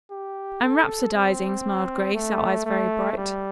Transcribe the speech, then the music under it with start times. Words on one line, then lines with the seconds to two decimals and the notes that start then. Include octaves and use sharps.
"I'm rhapsodizing," smiled Grace, her eyes very bright.
0.11 G4
0.62 A4
1.13 C4
2.14 A3
2.66 A3
3.17 G3